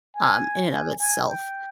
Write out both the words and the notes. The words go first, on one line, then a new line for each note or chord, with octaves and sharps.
um, in and of itself.
G#5
G#5
G#5
G5